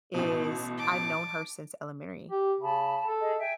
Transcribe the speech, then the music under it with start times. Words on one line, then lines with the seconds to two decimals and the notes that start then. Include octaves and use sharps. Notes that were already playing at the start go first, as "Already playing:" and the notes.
is I've known her since elementary,
0.14 A1 B2
0.77 A5 D6
2.31 G4
2.61 C#3 A5 B5
3.06 A4
3.20 G#4 D#5
3.38 E5 G5 G#5